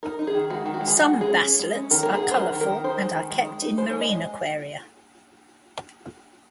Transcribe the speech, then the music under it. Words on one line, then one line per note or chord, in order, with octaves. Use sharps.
Some basslets are colorful and are kept in marine aquaria.
D#4 A#4
D#4
G#4
D#3
G#3 F#4
D#3
F#4
G#3
G#4
G#3 F#4
G#3
G#4
C#4
C#4
G#3
C#4
D#3 A#4
A#3 A#4
G#4
F#3
C5
F#3 A#4
D#3
A#4
D#3
D#4 C5
G#3
D#3
G#3
G#3
D#4
G#3 C5
C#5
G#3
D#5
G#3